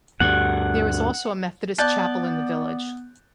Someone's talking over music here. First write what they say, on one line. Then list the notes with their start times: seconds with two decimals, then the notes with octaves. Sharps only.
There is also a Methodist chapel in the village.
0.20 D2 G2 F#5
1.78 B3 D5 A5 F#6 G6